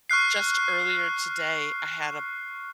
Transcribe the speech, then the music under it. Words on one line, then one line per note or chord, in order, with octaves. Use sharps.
just earlier today, I had a
C#6 F6 F#6 C7